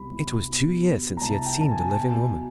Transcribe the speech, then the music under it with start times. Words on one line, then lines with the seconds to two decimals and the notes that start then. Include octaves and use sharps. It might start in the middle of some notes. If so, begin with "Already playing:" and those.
It was two years since he had seen the living woman.
Already playing: C2 B2 G3 B5
0.12 C2
0.48 B2
0.85 G3
1.17 A#5
1.22 C2 A5
1.46 G5
1.58 C2 A5
1.71 G#5
1.90 A5
1.95 B2 G#5
2.32 F#3